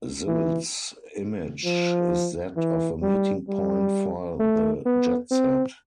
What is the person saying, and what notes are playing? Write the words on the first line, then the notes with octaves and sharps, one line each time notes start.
Sylt's image is that of a meeting point for the jet-set.
E3
F3
E3
G3
G3
A3
B3
C4